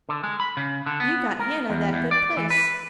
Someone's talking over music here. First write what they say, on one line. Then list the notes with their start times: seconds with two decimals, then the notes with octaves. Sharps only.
You got Hannah that good place.
0.09 D3
0.24 G#3
0.40 B5
0.57 C#3
0.86 D3
1.00 B3
1.40 A#4
1.69 E2
1.93 E2
2.11 D5
2.37 E3
2.50 B4